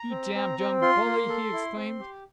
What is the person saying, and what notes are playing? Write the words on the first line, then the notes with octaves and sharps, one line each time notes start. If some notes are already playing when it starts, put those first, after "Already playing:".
"You damned young bully!" he exclaimed.
Already playing: A#5
C4
C4
C4
F4 C6
A#3
A4
E4
C4
G4